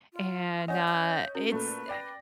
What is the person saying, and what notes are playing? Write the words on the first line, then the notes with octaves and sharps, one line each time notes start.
and, uh, it's eh,
F4
C#4 D5 D#5 F#5 G#5 G6
G6
C#4 F#4 A#4
A#2 A3 B4
D5 G5 A#6